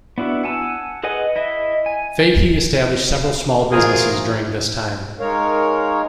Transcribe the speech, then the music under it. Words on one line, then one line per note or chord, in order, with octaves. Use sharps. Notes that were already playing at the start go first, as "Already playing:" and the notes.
Fahy established several small businesses during this time.
B3 D4 E4 F#4
F#5 G#5 A5 E6
G#4 B4 D#5 F#5 G#5
E4 D#5 E5
G#5
A#6 C7 E7
A1 F4 F#4 G#4 A#4 C5 D#6
G#3 D#4 A#4 C#5 F5